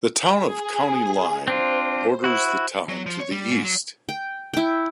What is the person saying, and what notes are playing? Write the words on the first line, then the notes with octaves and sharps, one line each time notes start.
The town of County Line borders the town to the east.
G#4
C4 D4 F4 C5
E4 F#4
F#3
F3
C#5
G3
G#2
F#3
G5
E4 G5